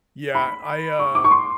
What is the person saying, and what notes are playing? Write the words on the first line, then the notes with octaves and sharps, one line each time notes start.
Yeah. I, uh,
B5
C#6
D6
C#6
C6